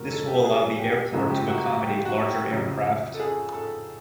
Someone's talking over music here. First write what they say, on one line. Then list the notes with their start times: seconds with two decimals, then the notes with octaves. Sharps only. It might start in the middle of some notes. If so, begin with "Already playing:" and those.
This will allow the airport to accommodate larger aircraft.
Already playing: F2 C3 F3 G#3 F#4 A#4
0.10 A4
0.27 G4
0.45 G#4
0.79 G4
1.13 F#2 C#3 F3 G#3 F#4
1.30 G4
1.48 F#4
1.65 F#4
1.82 G4
2.05 F#4
2.28 G4
2.51 F2 C#3 F#3
3.14 A4
3.20 G#4
3.54 A4